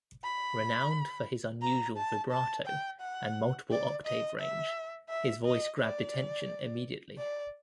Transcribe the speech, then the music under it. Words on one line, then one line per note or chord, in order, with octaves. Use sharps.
Renowned for his unusual vibrato and multiple octave range, his voice grabbed attention immediately.
B5
A#5
A5
A5
G5
F#5
D5
D#5
E5
E5
D#5
D5
D5